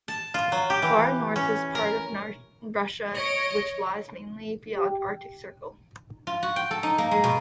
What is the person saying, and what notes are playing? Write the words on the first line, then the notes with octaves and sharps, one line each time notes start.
Far North is the part of Russia which lies mainly beyond the Arctic Circle.
A5
F4
F#3
G4
E3
C#4
A#4
C#5 D#5 D7
G4
F4
F#4
G5
A4
D#4
A#3
G#3
B2